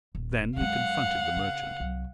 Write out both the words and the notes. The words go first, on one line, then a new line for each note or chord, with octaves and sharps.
Then he confronted the merchant.
D#1
F#2 G#3 F5 F#5
C#3
C2 F#3